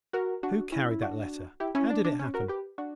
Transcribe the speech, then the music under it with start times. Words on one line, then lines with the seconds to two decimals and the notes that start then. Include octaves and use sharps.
"Who carried that letter? How did it happen?"
0.13 F#4 A#4
0.43 D4 F#4
0.72 C#4 E4
0.91 E4
1.02 D4 F#4
1.60 E4 G4
1.75 C#4 E4
1.90 D4
2.05 D4
2.19 C#4
2.34 F#4 A#4
2.48 G4 B4
2.78 D4 F#4